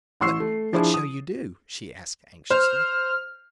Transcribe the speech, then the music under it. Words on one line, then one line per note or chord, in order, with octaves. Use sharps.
"But--what shall you do?" she asked anxiously.
A1 C6 C#6 E6 C7
A3
F3 D4 E4 G#4
D#6
C5 F6